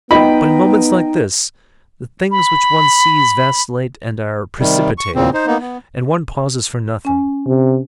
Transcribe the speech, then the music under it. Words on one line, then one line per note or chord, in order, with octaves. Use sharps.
But in moments like this, the things which one sees vacillate and are precipitated, and one pauses for nothing.
B3 D#4 D#5 G5 B5
B5
C3 D#3 G3
C#6
E2 A#2 C#3 C4
D#4 C5
A#3 B3 D#4
B3
C#4 G#5
C3